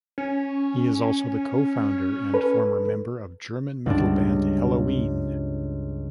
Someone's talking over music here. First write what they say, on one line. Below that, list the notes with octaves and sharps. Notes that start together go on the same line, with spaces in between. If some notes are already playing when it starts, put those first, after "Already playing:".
He is also the co-founder and former member of German metal band Helloween.
C#4
A4 B4
C#2 G2 D4